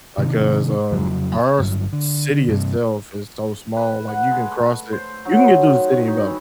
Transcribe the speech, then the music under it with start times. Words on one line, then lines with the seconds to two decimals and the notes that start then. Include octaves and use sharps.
like, 'cause, um, our c city itself is so small, like, you can cross it you can get through the city in about,
0.18 C3 D#3
0.91 F2 C#3 F#3
1.59 G1 G2 F#3
1.93 D3
2.49 G2 C3
3.76 B4
4.08 F#5
4.31 G#3
4.51 A3
4.93 C5
5.25 F#3
5.64 D#3
5.93 C#5
6.08 D#4
6.26 E3